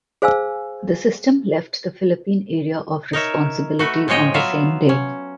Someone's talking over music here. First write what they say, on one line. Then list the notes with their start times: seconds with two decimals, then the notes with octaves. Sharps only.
The system left the Philippine Area of Responsibility on the same day.
0.22 G#4 C5 F5 G#5 E6
3.13 D#4 A#4 C#5 E5
3.79 A3 F#4 B4
4.08 A2 F3 G#3 C#5 D#5 G5
4.34 F#3 B3 F4 E5 F5
4.89 C#4